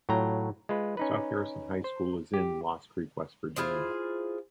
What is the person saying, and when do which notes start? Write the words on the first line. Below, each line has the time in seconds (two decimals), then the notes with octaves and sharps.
South Harrison High School is in Lost Creek, West Virginia.
0.09 A2 F#3 F4 G5 A#5
0.69 G#3 F4 B4
0.97 C#4 D#4 B4
1.84 C5
2.34 G4
3.56 E4 F4 G#4 C5